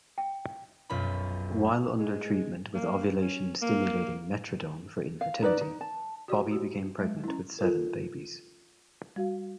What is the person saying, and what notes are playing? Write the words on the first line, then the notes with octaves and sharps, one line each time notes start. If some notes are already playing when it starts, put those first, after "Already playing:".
While under treatment with ovulation-stimulating Metrodin for infertility, Bobbi became pregnant with seven babies.
G5
B1 F#2 F4 B5
G#3
A#3
C#4
A#3
F5
D#4 B4 D5
D#4
A5
F#4 G4 D5
F#4 G4
F#3 G#3
C#4 E4
F4 A4 A#4
G3 F#4 F5